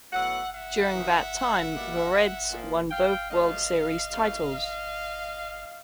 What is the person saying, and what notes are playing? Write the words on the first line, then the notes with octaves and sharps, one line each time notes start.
During that time, the Reds won both World Series titles.
A2 F#3 B3 E5 F#5
E5 F#5
F#2 C#3 E3
B2 G3 A#3
A#2 F3 A#3
F5 G5
F#2 C#3 F3 A3 D#5 F5
F#2 C#3 E3 A3